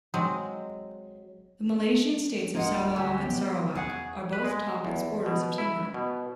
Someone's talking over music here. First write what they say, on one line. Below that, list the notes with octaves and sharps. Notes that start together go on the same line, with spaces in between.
The Malaysian states of Sabah and Sarawak are both top exporters of timber.
F#3 G#3 C4
D1 G#3 A#3 D4 F4 A#4 D#5 F#5
D2 G3 G#3 G4 C#5
B2 B3
E2 F#3 G#4 F#5
B4
G#3
E2
B2
E4
B2